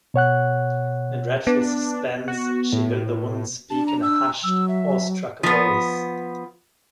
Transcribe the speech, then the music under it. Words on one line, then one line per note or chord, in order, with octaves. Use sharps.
In a dreadful suspense she heard the woman speak in a hushed, awestruck voice.
B2 C#5 F#5 F#6
B3 D4
F#4
A2
D4 A5
A#5
E6
F#3 E6
E5
F3 B3